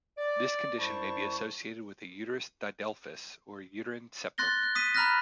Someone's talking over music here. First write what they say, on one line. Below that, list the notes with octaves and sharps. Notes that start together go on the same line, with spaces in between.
This condition may be associated with a uterus didelphys or a uterine septum.
D5
F#2 G3 E4 C5 A5 C#6
C6 F#6 A6 A#6 G7
F#6
D#6 B6 D#7
A#5 B5 F6 F#6 A#6